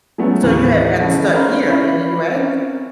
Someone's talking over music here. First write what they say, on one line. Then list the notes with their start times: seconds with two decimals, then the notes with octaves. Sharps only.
So you had gotten stuck here in the US?
0.18 F#3 G#3 A3 B3 C#4
0.43 D#2 A2 E3 G4
0.99 E3 C#4 G#4 A4 B4
1.33 C#4 D#4 A#4 C5 F5 B5
1.68 C#4 E4 D5 E5 F5 B5
2.30 C4 C#4 A#4